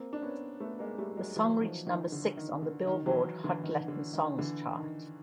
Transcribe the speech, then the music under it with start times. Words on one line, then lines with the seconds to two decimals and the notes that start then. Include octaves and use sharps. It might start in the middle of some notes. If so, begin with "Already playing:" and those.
The song reached number six on the "Billboard" Hot Latin Songs chart.
Already playing: A#3 C4
0.13 D4
0.23 B3 C#4
0.60 A3 B3
0.79 G#3 A#3
0.98 G3 A3
1.17 F#3 G#3
1.36 E3 F#3
1.61 D#3 F3
1.87 D#3
2.12 D3
2.37 D#3
2.62 D3
2.87 D#3
3.06 E3 F#3
3.44 D3 E3
3.64 D#3
3.88 D3
4.13 D#3
4.39 D3 E3
4.77 D#3